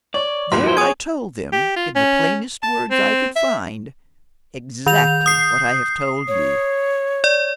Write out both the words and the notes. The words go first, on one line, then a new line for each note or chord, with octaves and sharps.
There I told them, in the plainest words I could find, exactly what I have told you.
C#5 D5
E2 G2 A#2 C6
F3 F#4 A#4 C5
G#4 C#5 D#6 G#6
G4
F4
C#4
A5
C4
E5
D#3 G6 F7
D#6 C7
C#5
D5